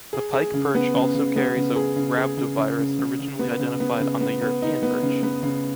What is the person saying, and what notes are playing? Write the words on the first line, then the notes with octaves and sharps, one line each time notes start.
The pike perch also carries a rhabdovirus originally identified on the European perch.
G#4
G#4
C#3
B3
C#3
C#3
B3
C#3
G#4
C#3
G#4
C#3
C#3
C#3
C#3
C#3
B3
C#3
B3
C#3
B3
B3
D#4
B3
C#3
B3
C#3